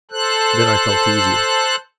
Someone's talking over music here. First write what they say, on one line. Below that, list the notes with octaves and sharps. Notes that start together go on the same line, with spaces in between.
Then I felt easier.
A4 C5 F#6